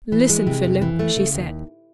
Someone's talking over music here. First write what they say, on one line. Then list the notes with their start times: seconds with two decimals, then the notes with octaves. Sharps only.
"Listen, Philip," she said.
0.12 E3
0.29 G#3
0.47 C3
0.64 F2
0.82 E3
0.99 A3
1.17 C#3
1.34 D#2